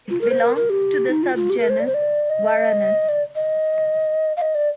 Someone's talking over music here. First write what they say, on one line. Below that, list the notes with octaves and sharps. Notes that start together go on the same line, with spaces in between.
It belongs to the subgenus "Varanus".
F4
A#4
C5
A#4
A#4
G4
D#4
F4
F4
G4
A#4
C5
D5
C5
D5
D#5
D5
D#5
F5
D#5
D5